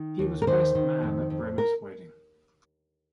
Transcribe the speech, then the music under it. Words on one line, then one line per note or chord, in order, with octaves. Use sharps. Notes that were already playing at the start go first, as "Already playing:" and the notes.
He was best man at Bremner's wedding.
Already playing: D#3
D#2
A#4
D#3 C5
D#3
F2
F2
A#4